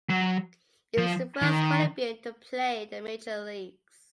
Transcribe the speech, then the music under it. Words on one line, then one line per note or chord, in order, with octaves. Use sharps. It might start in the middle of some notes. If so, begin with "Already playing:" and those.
He was the first Colombian to play in the Major Leagues.
F#3
F3
D#3